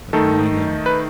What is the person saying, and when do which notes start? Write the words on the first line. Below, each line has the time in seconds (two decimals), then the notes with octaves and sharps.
But now I know.
0.13 D#3 A3 D#4 A4
0.86 B4